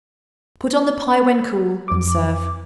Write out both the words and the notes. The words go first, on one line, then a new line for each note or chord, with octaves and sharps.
Put on the pie when cool and serve.
F2 D6